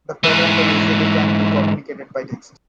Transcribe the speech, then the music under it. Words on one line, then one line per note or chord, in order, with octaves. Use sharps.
The patterns can easily be communicated by text.
G#2 E3